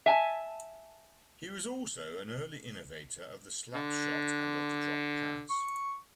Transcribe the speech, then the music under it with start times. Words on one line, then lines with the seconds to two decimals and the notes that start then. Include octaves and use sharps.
He was also an early innovator of the slapshot and of the drop pass.
0.06 E5 G#5 A5
3.75 D3
5.50 C#6